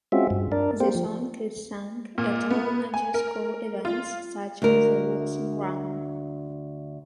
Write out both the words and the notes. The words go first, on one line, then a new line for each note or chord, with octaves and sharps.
The song is sung at all major school events such as the Wilson Run.
G#3 C4 C#4 F4 F#4 E5
G2
D4 A#4 D5
A#3 C4 G4 C5
F3
A#2
B3
G#5
A#4
F4
D2 A#4